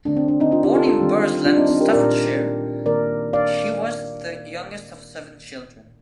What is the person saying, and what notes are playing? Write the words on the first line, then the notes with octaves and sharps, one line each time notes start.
Born in Burslem, Staffordshire, she was the youngest of seven children.
D3 A3 C4 D4
C4
D4
C4 D#4
D4 F4
D#4 G4
F4 A4
F4 A4
D#3 G3 C4
D4 F4
C4 D#4
C4 D#4
G4 A#4
A#2 A3 C4 A#4 D5
D#3 A#3 A#4 D5
D5 F5